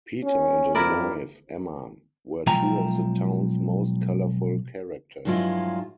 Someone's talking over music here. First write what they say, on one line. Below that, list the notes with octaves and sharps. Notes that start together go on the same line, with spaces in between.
Peter and his wife, Emma, were two of the town's most colorful characters.
C#4
F2 E4 A#4 D5
B1 F3 G#3 E5 G5 A#5
G2 F3 F#3 G#3 E4 F4